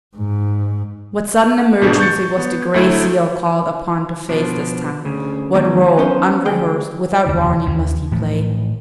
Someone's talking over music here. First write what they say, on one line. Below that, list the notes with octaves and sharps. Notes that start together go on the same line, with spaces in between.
What sudden emergency was the Gray Seal called upon to face this time--what role, unrehearsed, without warning, must he play?
G#2
G#1 B2 G3 D4 G#4
C#6 G6 A6 C#7
B3
D2 F#3 A3 E4 G#6 D7
B2 F3 D4
D2 C#3
G#2 B2 D#3 F#3
B3 C#4 C5
D2 G#4 G5
F1 D#2 D3
D#2 C#3 E3
A2 E3 F3